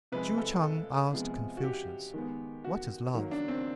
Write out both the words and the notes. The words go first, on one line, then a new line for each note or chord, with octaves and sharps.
Tzu-chang asked Confucius what is love.
C3 F3 G#3 B4
A4
A4
C3 F3 G#3 B3 G#4
F#4
G4
D#3 G#3 B3
F#4
D#3 F#3 A#3
D4
C4